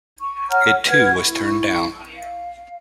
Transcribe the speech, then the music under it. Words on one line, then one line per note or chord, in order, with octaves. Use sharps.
It too was turned down.
C#6
C#5 F#5 A#5 F6
B4 F#5 F6 G#6
E4 C#6
F5